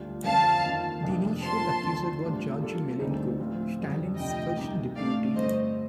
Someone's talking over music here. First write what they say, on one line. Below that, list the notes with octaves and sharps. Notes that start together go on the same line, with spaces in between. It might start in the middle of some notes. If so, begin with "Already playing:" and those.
The initial accuser was Georgy Malenkov, Stalin's first deputy.
Already playing: D2 D3 G3 D4 F4
F2 D3 F3 C4 F5 A5
D#3 A#3 F4
F2 C3 G3 A#3 D4
F3 A#3 F4 C5 A5 C6
D2 D3 F3 A3 C4
A2 G3 D4 F4
G3 A#3 F4 A4
D2 D3 G3 C4 D#4
A2 F3 C4 F4
F2 D3 G3
D2 C3 F3 D#5 G5
C3 G3 A#3 D#4 G4
A2 A3 D4 D5 F5
G2 D3 A3 C4 C5 D#5